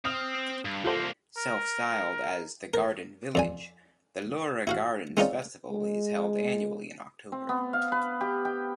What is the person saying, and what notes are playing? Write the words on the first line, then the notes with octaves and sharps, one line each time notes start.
Self-styled as "the Garden Village", the Leura Gardens Festival is held annually in October.
C4 D#6 F6 F7
G2
C2 A#3 F4 A4 C5
A#4
A#4
F2 D5 G#5
E4 F#4 F5
G#3 C4 C#4 D#4 F4 D5
G#3
C4
B3
F5
B4
G4
G5